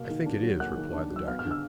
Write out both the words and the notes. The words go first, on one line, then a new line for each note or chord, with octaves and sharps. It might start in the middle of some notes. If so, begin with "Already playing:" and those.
"I think it is," replied the Doctor.
Already playing: B2 A#3 F5 F6
D#3
D4
F#3
A#3 F#5 F#6
D#3
D4
F#3
E6
B3 F5 F6
F6
D3
E6